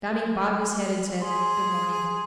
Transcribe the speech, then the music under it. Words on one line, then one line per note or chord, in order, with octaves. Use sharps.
Johnny bobbed his head and said, "Good morning."
G#4 C6